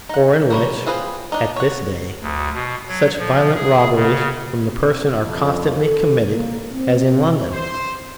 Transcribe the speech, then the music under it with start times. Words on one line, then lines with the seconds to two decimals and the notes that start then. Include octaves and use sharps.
Or in which, at this day, such violent robberies from the person are constantly committed as in London?
0.09 D#4 F#5
0.50 F#3 G3 C#5
0.86 C4 F4 G#4 B4 C5
1.32 D4 D#4
1.56 C#5 F#5
2.22 D2
2.54 B2
2.88 F#3
3.19 F3
3.56 G#4
3.96 C#3
4.58 C3
5.21 F2
5.84 A4
6.31 A#3
6.72 C4
7.52 C5